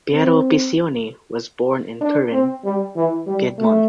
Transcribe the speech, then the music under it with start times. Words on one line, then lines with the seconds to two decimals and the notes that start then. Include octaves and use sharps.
Piero Piccioni was born in Turin, Piedmont.
0.12 C4
2.01 D4
2.32 C4
2.64 G3
2.95 E3
3.27 G3
3.58 A3